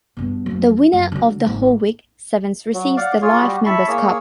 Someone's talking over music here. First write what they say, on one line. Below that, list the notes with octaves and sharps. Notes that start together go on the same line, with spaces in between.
The winner of the Hawick Sevens receives the Life Members Cup.
G2 B2
F#2 F3
F#2
D3 F#3
G#1
F#3
D5 F5 F#5
F4 G#4 C#5
G3 F#4 G4
E4 A5 B5 C#6
A#3 G#4 C#5